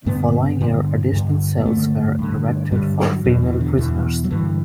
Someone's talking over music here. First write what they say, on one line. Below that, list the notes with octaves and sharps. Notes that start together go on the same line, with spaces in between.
The following year additional cells were erected for female prisoners.
G2 D3 B3
G2 D3
G2 D3
B3
G2 D3 A3
G2 D3
G2 D3 G3
F#3
E2 B2 F#3
E3
D3
E2 B2 E3
F#3
G2 D3 E3